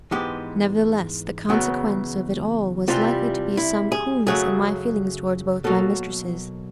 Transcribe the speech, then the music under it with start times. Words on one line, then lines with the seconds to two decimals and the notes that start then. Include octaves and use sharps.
Nevertheless, the consequence of it all was likely to be some coolness in my feelings towards both my mistresses.
0.11 G#2 E3 G#3 B3 G4
1.49 E2 C#3 F#3 B3
2.88 C3 E3 G3 F4
3.57 E4
3.92 G#4
4.27 F#2 C#3 F#3 A3 G#4
5.64 B2 F#3 A#3 A4